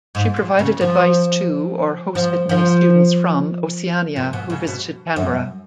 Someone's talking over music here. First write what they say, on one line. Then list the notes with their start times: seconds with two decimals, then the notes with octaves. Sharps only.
She provided advice to or hosted many students from Oceania who visited Canberra.
0.15 G#2
0.36 A#2
0.59 C#3
0.81 F3
2.15 F3
2.49 F3
4.16 A#2
4.33 B2
4.50 C#3
4.67 B2
5.16 F#2